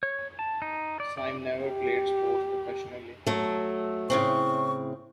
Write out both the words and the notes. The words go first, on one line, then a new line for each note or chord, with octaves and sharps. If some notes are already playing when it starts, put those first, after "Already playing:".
Sime never played sports professionally.
C#5
A5
D#4
D5
D5
G4
F#3 A3
A2 C#3 C4 C#6